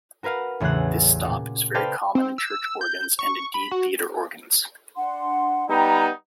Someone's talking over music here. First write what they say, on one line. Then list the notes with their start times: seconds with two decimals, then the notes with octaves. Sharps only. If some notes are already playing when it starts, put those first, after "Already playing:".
This stop is very common in church organs and indeed theatre organs.
0.23 F#4 A#4 B4 F5 F#5
0.60 A1 E2 C#3 G#4 F#5 F#6
1.24 A#2
1.74 A4 B4 C5 D5 F5 G5
2.15 C4
2.38 E6
2.81 G6
3.19 C#6
3.54 B5
3.72 F#4
4.96 D4 F#5 C6
5.69 G3 B3 D#4 G5 A#5 B5